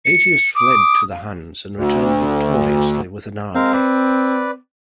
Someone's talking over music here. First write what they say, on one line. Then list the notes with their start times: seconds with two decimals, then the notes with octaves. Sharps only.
Aetius fled to the Huns and returned victoriously with an army.
0.05 C#7
0.55 D6 D#6
1.11 F5
1.75 D2
3.55 G#3 C4 A#4 F5
3.73 B4 D5